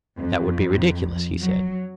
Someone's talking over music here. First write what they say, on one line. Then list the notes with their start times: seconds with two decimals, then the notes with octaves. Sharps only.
That would be ridiculous, he said.
0.20 F2
1.42 F#3